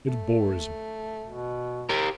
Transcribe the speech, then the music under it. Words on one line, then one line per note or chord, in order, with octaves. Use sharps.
It bores me.
A3
B2
G4 A#4 A#5